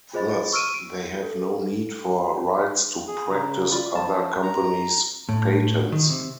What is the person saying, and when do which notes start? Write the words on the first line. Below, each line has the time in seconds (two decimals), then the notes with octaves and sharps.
Thus, they have no need for rights to practice other companies' patents.
0.13 F4 G#4 C5 D#5 B5 A6
0.52 C#6 E6 F6 D7 D#7
0.74 D7
1.22 A4
3.07 G#4
3.31 C#3 A#5
3.71 F4 D5 B5
3.95 F3 A5
4.43 A#5
5.29 A2
5.92 D#3
6.10 C3